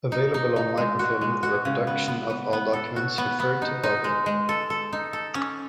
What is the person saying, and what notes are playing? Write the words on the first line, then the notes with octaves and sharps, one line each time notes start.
Available on microfilm the reproduction of all documents referred to Bobbio.
D#4
D#4
D#4
G#3
F#4
G#3
F#4
C#3
B3
B3
B3
B3
A4
F#4
B3
B3
D#4
D#4
G#3
G#3
A4
A4
D#4
A4
C#4